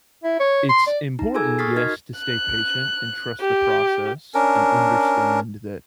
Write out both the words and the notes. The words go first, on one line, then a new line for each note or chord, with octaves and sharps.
it's important, yes, to stay patient and trust the process and understand that
E4
C#5
C6
D5
D#4 A#5
F4 G#4 A4 G#5 E6 G#6
C#6 D#6 F6 A6 B6 C7
D#4 F#4 A#4 D#5 F6 G#6
F#6
G4
C#4 D4 A#4